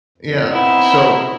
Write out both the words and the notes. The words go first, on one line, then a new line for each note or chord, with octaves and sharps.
Yeah, so
F2
B3 C4 D#4 E4 D#5